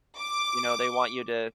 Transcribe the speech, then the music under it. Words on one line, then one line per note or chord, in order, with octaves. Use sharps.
you know, they want you to
D6